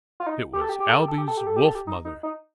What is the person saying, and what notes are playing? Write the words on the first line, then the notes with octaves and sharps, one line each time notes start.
It was Ailbe's wolf-mother.
F4
D#4
G4
A4
G4
G4
A4
G4
A4
G4
A4
G4
A4
G4
A4
G4
D#4
D#4
D#4